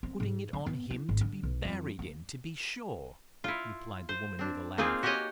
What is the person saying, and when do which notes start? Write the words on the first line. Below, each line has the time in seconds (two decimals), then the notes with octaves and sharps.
"Putting it on him to be buried in, to be sure," replied the woman with a laugh.
0.03 C4
0.20 G#2
0.53 D3
0.66 B3
0.90 E4
1.09 G#1
1.21 D3
1.43 B1
1.65 F2
1.99 A#3
3.44 E4 F4
4.09 C5
4.39 C4 D4
4.78 A#3 C4 D#4 F4 G#4
5.03 F#4 G4 A#4 C#5 D#5 G#5